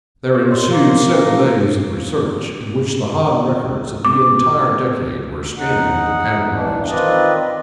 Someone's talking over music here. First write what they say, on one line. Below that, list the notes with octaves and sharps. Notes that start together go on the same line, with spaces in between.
There ensued several days of research, in which the Han records of the entire decade were scanned and analyzed.
G4 C5 C#5
A#4 D#5 C6
A#3
C#4
D6
D#4 F#5
G2 E3 D4
D#3 C4 F4 B4 D5 D#5